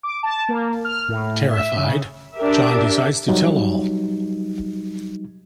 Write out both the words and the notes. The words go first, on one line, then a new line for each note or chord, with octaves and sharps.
Terrified, John decides to tell all.
D6
A5
A#3
F6
A2
E5
C#3
D4 G4 A#4 E5
F#3 G3 D#4